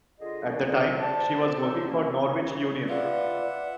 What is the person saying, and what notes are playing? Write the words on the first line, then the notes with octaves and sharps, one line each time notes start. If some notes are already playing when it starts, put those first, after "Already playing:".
At the time she was working for Norwich Union.
D3 F4 G#4 D#5
A#3 D4 C#5 D5 F5
D4 D#4 G#4 A#4 D5
C5 D5 A5
C#4 D#4 E6
C#2 A#3 C#4
F4 B4 D5 E5 F#5